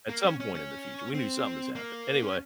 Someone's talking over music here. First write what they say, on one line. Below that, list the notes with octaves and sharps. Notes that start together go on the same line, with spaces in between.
at some point in the future- we knew something has happened. Anyway,
A#3
C#4
C#4
C#4
C4
A#3
C#4